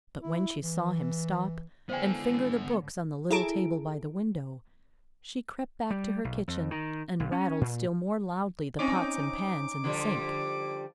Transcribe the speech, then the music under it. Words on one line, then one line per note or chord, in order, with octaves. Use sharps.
But when she saw him stop and finger the books on the little table by the window, she crept back to her kitchen--and rattled still more loudly the pots and pans in the sink.
E4
E3
G#2 D3 B3 C5 F5 G5 G#5
E4 G#4 A4 A#5 D7
G3
B1
F2
D#3
B1
C#4
A#2
C4 C#4 D#4 D6
D3 F3 G3